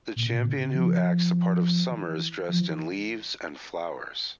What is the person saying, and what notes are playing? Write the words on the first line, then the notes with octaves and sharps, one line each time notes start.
The champion who acts the part of Summer is dressed in leaves and flowers.
A#2
C3
A#2
C#3
F3
E3
F3
E3